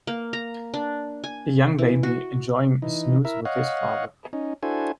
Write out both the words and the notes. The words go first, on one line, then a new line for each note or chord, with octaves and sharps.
A young baby enjoying a snooze with his father.
A#3
A#5
D4
G#5
E3
F#4
E3 D#4
E4 A#4 E5
C#5 D#5 F5 F#5
C#4 D#4
D4 E4 F#4 A4 C5 G#5